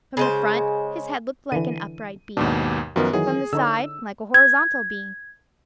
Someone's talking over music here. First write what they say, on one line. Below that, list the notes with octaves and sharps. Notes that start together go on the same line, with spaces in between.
From the front his head looked like an upright bean, from the side like a horizontal bean.
C#3 G#3 C5
D3 E3 D#7
D#2 G#2 B2 D4
F#2 D#3 F3 B3 F#4 A#4
D#3 E3 F#3 G#4
D3 D#4 C#5 E6
G#6